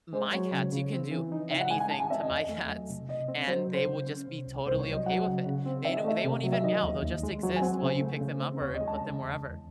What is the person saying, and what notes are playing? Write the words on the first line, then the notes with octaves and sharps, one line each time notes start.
My cats, you can do anything to my cats and they will just be totally okay with it, they know they won't even meow, they'll just exist while you pick them up or and put them wherever,
G#3 C5
F#3 C#5
C#3
C#3
C4
E3
D#4
C#3 E5
F#5
G#3 G#5
G#5
D#3 A5
G#5
C4 E5
D#5
E2
A3
F#3
C3
C3 D#5
C4
F#3 C5
C#3
C5
C#3
C#4
C3
C2
C2 C5
C#5
F#3
D#5
F#3 F#5
C#3
C#3
C4
D#3 E5
D#5
A3 E5
C3
F#3
E5
D#3 D#5
D#2
D#2
G#3
F#3 C#5
G#5
C4 F#5
C#3 C5
A3
C#3
C4
D#2 C#5
D#5
G#3
A5
C#3
E2
E2